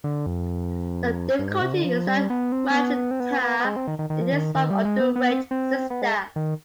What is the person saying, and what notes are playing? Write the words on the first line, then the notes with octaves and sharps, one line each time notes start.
The difficulty is that Magenta is his wife's underaged sister.
D3
F2
G2
G#2
C3
D3
F3
G3
B3
C4
C4
B3
C4
B3
B3
B3
G#3
C4
D#3
D#3
D#3
F3
D#3
D#3
G3
G#3
B3
B3
C4
C4
B3
G#3
D#3